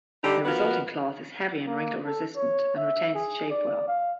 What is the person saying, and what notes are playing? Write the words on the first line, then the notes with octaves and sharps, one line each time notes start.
The resulting cloth is heavy and wrinkle-resistant, and retains its shape well.
D3 G3 D#4 G4
F3 B3 F#4 A#4
A#3
A4
C#5
E5
G#4
D5
F5